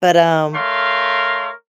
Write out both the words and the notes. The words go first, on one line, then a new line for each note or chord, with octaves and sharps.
but, um
A3 A#4 C#5 F5 C6